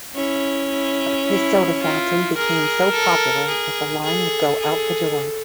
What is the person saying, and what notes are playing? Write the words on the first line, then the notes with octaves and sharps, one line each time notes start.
His soda fountain became so popular that the line would go out the door.
C#4 E4
E4
E4
E4 F4
G#4 A#4
A4
G#4
G#4 A4
G#4